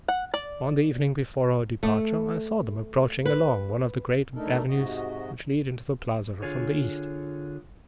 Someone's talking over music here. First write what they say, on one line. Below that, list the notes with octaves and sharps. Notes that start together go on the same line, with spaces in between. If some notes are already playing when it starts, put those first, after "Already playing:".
On the evening before our departure I saw them approaching along one of the great avenues which lead into the plaza from the east.
F#5
D5
A3
B4
A3 D4 D#4 A4 A#4
G#2 C3 F#4 D#5
D3 F4 G#4 C#5